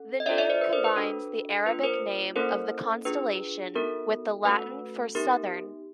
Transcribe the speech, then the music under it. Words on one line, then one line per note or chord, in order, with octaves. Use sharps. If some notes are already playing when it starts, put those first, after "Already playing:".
The name combines the Arabic name of the constellation with the Latin for "southern".
Already playing: C#4 A4
D#5
D4 F4 A4 D5 E5
D5 E5
C5 D5
B4
A#4 C5
B4
D4 F#4 A4
A#3 D4 F4 B4
A#4 C5
A#3 C#4 E4 A4 A#4 C5
D4 F4 G#4 B4
B3 D#4 F#4 A4 A#4
A3 C#4 F#4 A4 B4
B3 D#4 G4 A#4